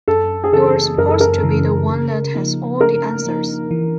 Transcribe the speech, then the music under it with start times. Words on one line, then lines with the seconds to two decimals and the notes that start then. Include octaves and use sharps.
You're supposed to be the one that has all the answers.
0.08 F#2 A4
0.44 G#4
0.53 C#3 E3 A4
0.98 F#2 A#4
1.09 A4
1.20 A#4
1.43 C#3 E3
1.89 C#3
2.35 F3 A#3 D#4
2.81 C#3 A#4
3.26 F3 A#3 D#4
3.71 E3